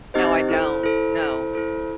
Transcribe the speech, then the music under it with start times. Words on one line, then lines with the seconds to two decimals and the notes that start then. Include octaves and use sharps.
No, I don't, no,
0.14 C4 D#4 G4 C5 D#5
0.49 E4 A4 C5
0.83 E4 A4 C5
1.19 E4 A4 C5
1.53 E4 A4 C5